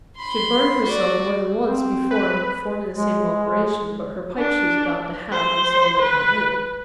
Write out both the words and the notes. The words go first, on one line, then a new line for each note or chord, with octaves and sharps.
She had burned herself more than once before in performing the same operation; but her pipe she was bound to have, and so met her end.
B5 C6
F#4 D5
C4
B4
G#3
D4
C5
B4